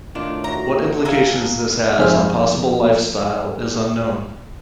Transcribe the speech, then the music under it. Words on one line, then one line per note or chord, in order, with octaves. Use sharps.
What implications this has on possible lifestyle is unknown.
A2 D#3 A3 D4 F4
F#4 A#5 A#6
G#4 A4 F5 A#5
F2 G#2 G#4 C5 E5 F6